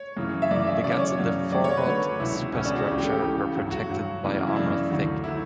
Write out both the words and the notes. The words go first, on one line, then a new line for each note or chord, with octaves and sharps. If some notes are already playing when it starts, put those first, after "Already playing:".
The guns in the forward superstructure were protected by armour thick.
Already playing: C#5
F#2 C#3 E3
E5
F#2 C#3 E3 D5
E5
F#2 C#3 F#3 D5
C#5
D5
F#2 C#3 F#3
F#2 D3 F#3 D5
C#5
B4
F#2 D3 F#3 C#5
C#2 B2 F#3 E4
E4
C#2 B2 F#3 C#4
D4
F#4
C#2 C#3 E3 G4
G4
A4
C#2 C#3 E3
G2 F#3
F#4
G2 F#3
F#2 C#3 E3
E4
F#2 C#3 E3 D4
D2 D3 F#3
D3 F#3 E4